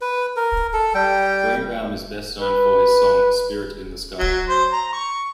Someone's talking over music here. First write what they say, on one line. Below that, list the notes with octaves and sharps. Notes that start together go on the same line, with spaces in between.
Greenbaum is best known for his song "Spirit in the Sky".
B4
A#4
A4
G3 G5
B4
F#3
C5
A#5
C#6